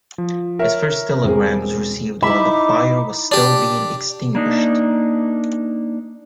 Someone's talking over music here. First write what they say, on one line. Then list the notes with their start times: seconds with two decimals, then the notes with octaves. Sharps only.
His first telegram was received while the fire was still being extinguished.
0.18 F3
0.59 A#4 C#5 E5
1.24 E1 C4 G#4
2.23 D#4 E4 E5 B5 D6
3.32 D4 G4
4.35 A#3 D4 D#4